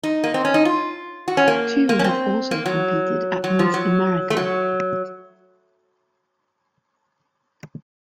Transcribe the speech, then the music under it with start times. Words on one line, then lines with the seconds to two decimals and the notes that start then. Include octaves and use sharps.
Two have also competed at Miss America.
0.03 D#4
0.24 A#3
0.34 C4
0.45 C#4
0.54 D#4
0.65 F4
1.28 F#4
1.37 C#4
1.48 A#3
1.89 A#3
1.99 C#4
2.04 C4
2.51 A#3
2.66 F#3
3.44 F#3
3.59 F3
3.74 F#3
4.30 A3
4.37 F#3